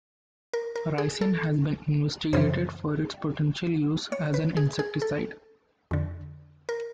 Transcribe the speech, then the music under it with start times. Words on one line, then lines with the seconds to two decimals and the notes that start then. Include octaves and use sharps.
Ricin has been investigated for its potential use as an insecticide.
0.53 A#4
0.76 A#4
0.98 G#4
1.21 A4
2.33 F#2 C#3 E3 C5
4.12 C#5
4.34 B4
4.57 G#4
4.79 G#4
5.02 A4
5.91 F2 D3
6.69 A#4